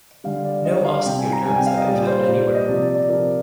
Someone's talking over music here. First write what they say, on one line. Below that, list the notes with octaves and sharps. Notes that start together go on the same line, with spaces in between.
No osteoderms have been found anywhere.
D3 G3 F5
D5
D3 G3 D#5
F5
C3 G3 G5
G#5
A#5
C3 G3 G#5
G5
F5
D#5
A#2 G3 D5
C5
A#2 G3 C5
D5
D#5
C3 F3 D5
D5
D5
C3 F3 A#4